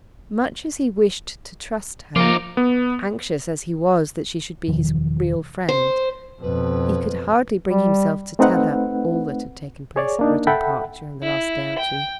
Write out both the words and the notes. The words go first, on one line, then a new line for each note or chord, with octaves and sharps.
Much as he wished to trust her, anxious as he was that she should be his real friend he could hardly bring himself to tell her all that had taken place at Rudham Park during the last day or two.
F3 A#3 D#4 F4 D6
B3
E1 D2 D#3 F3
C5
F2 B2 B4
G3
A3 C4 D#4 B4 F#5
G#4 C#5 D5
A#3 D4 D#4
A4 E5 F#5 G5 B5
E4
G5